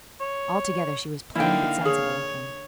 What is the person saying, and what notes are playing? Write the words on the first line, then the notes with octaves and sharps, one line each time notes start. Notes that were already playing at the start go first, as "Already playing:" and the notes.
Altogether she was plain, but sensible-looking.
C#5
D3 A#3 D#4 E4 F5 G5
G#4 C#5